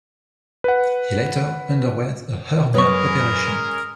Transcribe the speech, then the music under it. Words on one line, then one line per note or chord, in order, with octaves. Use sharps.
He later underwent a hernia operation.
B4 F#5
F#2 G#3 C#4 A#4 B4 C#5 C#6 D#6